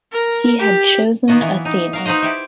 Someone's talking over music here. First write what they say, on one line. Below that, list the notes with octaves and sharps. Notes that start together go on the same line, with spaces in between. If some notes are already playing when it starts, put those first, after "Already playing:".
He had chosen Athena.
A#4
G4
D#3 A#3 B3 F#4 D#5
E3
D#4
F#4 A#4 F5
D#4 F#4 B4 C5 D#5
E4 G4 E5